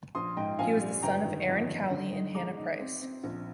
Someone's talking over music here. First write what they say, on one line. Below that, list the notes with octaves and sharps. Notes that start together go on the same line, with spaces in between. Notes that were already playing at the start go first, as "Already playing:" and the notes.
He was the son of Aaron Cowley and Hannah Price.
A#1 C6 D#6
G#2 D#5 G5
A#1 F5 G#5
G3
G1 G5 A#5
D#3
F2
D#3
D3
D#4
G#3 A#5 D6
D#4
C4
C4
A#1